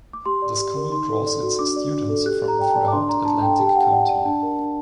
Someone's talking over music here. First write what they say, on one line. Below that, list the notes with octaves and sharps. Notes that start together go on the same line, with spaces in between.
The school draws its students from throughout Atlantic County.
D6
G4 C6
D5
G4
A#4
D#4 C6
A4
D5
F#4
D4 D6
D5
D4
A4
G4 F#6
G4
A#5
D5 G5
A5
D5
D6
D4 C6
D5 A#5
D4 A5
A4 G5
G4 A5
G5
G4 F#5
G5
D5 F#5
D5
D4 A5
A#4
D4